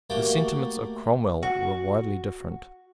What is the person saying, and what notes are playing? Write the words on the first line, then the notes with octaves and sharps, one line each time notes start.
The sentiments of Cromwell were widely different.
A3 A#3 F#4 G4 G5
F#4